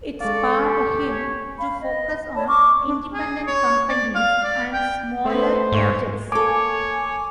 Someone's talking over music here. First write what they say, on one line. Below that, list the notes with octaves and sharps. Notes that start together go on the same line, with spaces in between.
It spurred him to focus on independent companies and smaller projects.
G#3 A4 D5 F5 C#6
G4 G#5
C#5
F5 B5
D#5
C#5 D5 A5 B5
C#6 D6 F6
D4
G#4
C#5
D5
F5
D5
G5
A3 B3 B4 C5
G#2 C#5
A#3 A4 C#5 G#5 D6